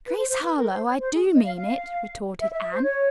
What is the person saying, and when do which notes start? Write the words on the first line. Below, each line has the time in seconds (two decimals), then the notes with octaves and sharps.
"Grace Harlowe, I do mean it," retorted Anne.
0.07 B4
0.18 C5
0.29 C5
0.43 B4
0.57 A#4
0.71 C5
0.85 C#5
0.99 C5
1.14 G#4
1.35 D#5
1.44 F5
1.55 F5
2.40 E5
2.51 E5
2.61 E5
2.72 C5
2.83 C#5